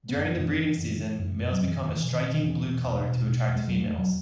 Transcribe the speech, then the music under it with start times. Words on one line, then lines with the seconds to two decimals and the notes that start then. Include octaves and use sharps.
During the breeding season, males become a striking blue colour to attract females.
0.09 B3
0.14 F#2
0.25 E3
0.35 F#2
0.40 E3
0.56 C#3 E3
0.77 F#2
0.98 C#3
1.18 F#2
1.39 F#2
1.52 F#3
1.60 F#2
1.67 E3
1.81 E2 D#3
1.96 E3
2.01 B2
2.12 D#3
2.22 B2
2.34 D#3
2.43 E2 E3
2.64 B2
2.85 E2
3.05 B2
3.26 B2
3.47 E2
3.56 G#3
3.68 E2 F#3
3.83 A3
3.89 E2
3.98 F#3